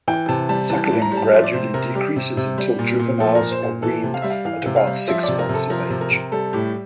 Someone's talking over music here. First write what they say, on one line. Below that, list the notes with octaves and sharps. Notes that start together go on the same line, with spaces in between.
Suckling gradually decreases until juveniles are weaned at about six months of age.
E3 G5
C3 A5
G3 A5
E3 A5
A5
A2
A#5
G3
A5
F3 E5
D5
C3 C5
C3 A#4
G3 G4
C3
C3
G3
A#2
A#2
F3 A4
A#4
A#2
C5
A#2
E3 A4
C3
F5
G3 E5
F5
E3 F5
C3
F5
G3
F3 E5
C3 D5
A#4
C3 A4
F3 A#4
C3
A#4
C3
G3 A4
A2 G4